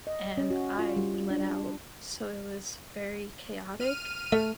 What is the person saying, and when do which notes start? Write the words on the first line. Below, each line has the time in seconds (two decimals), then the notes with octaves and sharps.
and I bled out. So, it was very chaotic,
0.07 D#5
0.37 C#4
0.50 F#4
0.79 F4
0.96 G3
1.14 F4
1.30 D4
1.46 D5
3.80 F6 D#7
4.32 A3 A4 E5 F5